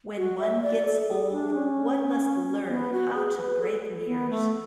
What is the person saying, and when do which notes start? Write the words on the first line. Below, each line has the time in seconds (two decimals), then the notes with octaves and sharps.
When one gets old, one must learn how to break mirrors.
0.17 F#4
0.40 E5
0.63 D5
0.86 A4
1.08 G#4
1.32 D4
1.54 C#4
2.69 B3
2.93 F#4
3.14 G#4
3.37 B4
3.60 A4
4.06 B3
4.30 A3